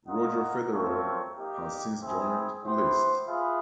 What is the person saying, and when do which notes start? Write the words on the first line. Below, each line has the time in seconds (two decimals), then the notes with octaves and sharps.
Roger Federer has since joined the list.
0.08 F4 A#4 D#5 F#5
0.72 A3 C4 F4 A#4 C#5
1.36 A#3 D#4 G4
2.00 C4 E4 G#4 C5
2.63 B3 E4 G4 C5
3.27 F4 G#4 B4 E5